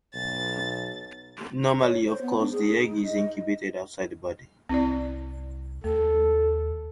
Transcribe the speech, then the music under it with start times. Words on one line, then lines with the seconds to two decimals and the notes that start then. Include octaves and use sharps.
Normally, of course, the egg is incubated outside the body.
0.14 B1 A6
1.80 C#5
2.07 C5
2.21 B3
2.39 D4
2.52 G#4
2.78 D#4
3.04 D#5
4.69 C2 C4 E4 D5
5.84 D#2 A3 A4